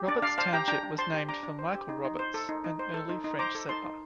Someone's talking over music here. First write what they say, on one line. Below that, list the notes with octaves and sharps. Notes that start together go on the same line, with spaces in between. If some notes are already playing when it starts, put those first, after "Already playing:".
Roberts Township was named for Michel Roberts, an early French settler.
Already playing: G4
D4 D5
D4 D5 F5
C5 F5 A5
G4 G5 A#5
D4 G5 A#5
D4
C5 A5 C6
G4
D4 A#5 D6
D4
C5
G4
D#4
D#4
C5
A4
D#4
D#4
C5
A4
D#4
D#4
C5 A#5 D6
A4
D#4 A5 C6
D#4